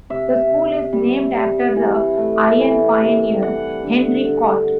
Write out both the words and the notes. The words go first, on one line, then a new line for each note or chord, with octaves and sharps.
The school is named after the iron pioneer, Henry Cort.
C3 E5
C3
G3
G3
E3
A3
E3
C3
G3 F#5
D3
D3